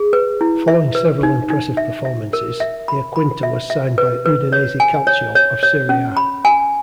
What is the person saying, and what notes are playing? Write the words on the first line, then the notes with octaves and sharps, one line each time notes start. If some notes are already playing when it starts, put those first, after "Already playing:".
Following several impressive performances, Iaquinta was signed by Udinese Calcio of Serie A.
Already playing: G#4
B4
E4
E5
B4
D#4
D#4
E5
E5
A#4
E5
B5
B5
E5
E5
B4
B4
C#5
G#5
C#5
C#5
C#5
C#4
B5
G#5